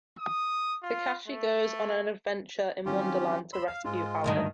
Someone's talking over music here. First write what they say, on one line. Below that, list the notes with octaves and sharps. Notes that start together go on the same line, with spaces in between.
Takashi goes on an adventure in Wonderland to rescue Alice.
D#6
F4
A3
D#3 F#3 C4 C#4 F4 G4
C#5 B5 C6 E6 E7
F5 F6
G#2 G#3 F4
D2 G2 D#3